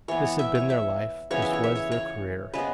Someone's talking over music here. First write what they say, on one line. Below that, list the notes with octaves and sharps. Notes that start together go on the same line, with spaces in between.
This had been their life; this was their career.
E3 B3 C#5
E5
C#5
E5
C#3 E3 B3 C#5
E5
C#5
E5
C#5
C#5
C#3 G#3 B3 B4